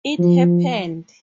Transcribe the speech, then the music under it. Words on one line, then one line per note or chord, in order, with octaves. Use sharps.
It happened.
F3